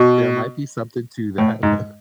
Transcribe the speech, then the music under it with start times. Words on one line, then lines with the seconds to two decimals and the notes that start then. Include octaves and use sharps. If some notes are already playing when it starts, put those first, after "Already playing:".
there might be something to that.
Already playing: B2
1.38 A2
1.63 G#2